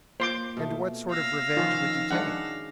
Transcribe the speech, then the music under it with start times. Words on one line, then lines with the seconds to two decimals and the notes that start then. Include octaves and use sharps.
"And what sort of revenge would you take?"
0.20 A#3 F4 C5 C6 D6
0.57 B2 A3
1.10 D5 F5 E6 A#6
1.57 D#3 F3 C#4 D#4 F4 C#5
2.11 G#3 D4 F#4 C#5 F#5